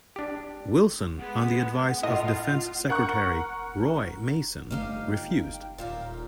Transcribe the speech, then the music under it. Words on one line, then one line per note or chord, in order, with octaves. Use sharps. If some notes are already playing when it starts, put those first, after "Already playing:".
Wilson, on the advice of defence secretary Roy Mason, refused.
D4 G4
G#3 B3 F#5
A2 F4 D#5
A#4 F#5 A#5 C#6 F#6
G1 A3 D#4 G4 F5 F6
G5
D#1 A#2 G4 A#4 F5